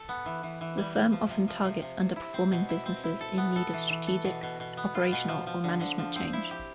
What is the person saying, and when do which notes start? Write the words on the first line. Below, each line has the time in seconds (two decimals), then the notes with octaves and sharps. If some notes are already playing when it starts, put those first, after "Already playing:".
The firm often targets under-performing businesses in need of strategic, operational, or management change.
Already playing: A4
0.09 B3
0.26 E3
0.43 E3
0.61 E3
0.78 G3
0.95 G3
1.12 F3
1.30 C3
1.48 F3
1.65 C3
1.82 C3
2.00 C3
2.16 E4
2.34 C4
2.52 B2
2.69 E4
2.86 C4
3.04 E4
3.21 A4
3.38 B3
3.56 A4
3.73 E3
3.90 E3
4.07 A4
4.25 B2
4.43 B2
4.60 B2
4.77 B3
4.95 F4
5.12 B2
5.28 F3
5.47 F3
5.64 D3
5.80 D3
5.98 F3
6.16 C4
6.33 E4
6.51 G4